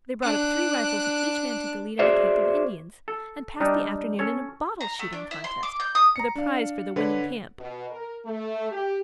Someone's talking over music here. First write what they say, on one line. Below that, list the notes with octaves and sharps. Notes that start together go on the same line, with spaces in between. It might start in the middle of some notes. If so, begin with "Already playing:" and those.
They brought up three rifles, and each man took the lead of a camp of Indians, and passed the afternoon in a bottle shooting contest, with a prize for the winning camp.
D4 F#6
F#4 G#4 C5 D5 E5
A4
G3 D4 D#4
C#4 A4 C#5
A#5
A3
D4
E4
C6
D6
G6
D#6
A#5 C#7
D4 F5
D3 B4 C#5
B2
A#4
A3
G4